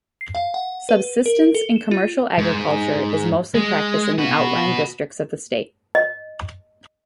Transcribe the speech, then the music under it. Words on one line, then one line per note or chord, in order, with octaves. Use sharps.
Subsistence and commercial agriculture is mostly practiced in the outlying districts of the state.
C7
F5
F#5
B4
A#4
A4
E7
F4
G#2
G#3
F#4 B4
D#5